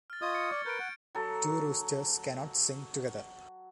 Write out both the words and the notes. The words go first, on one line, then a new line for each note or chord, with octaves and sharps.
Two roosters cannot sing together.
F6 A6
F4 D#5 C#6 D#6 G#6 A6
C#7
D5 F6 A6
A#4 B4 G6 D7
F#5
F#3 A4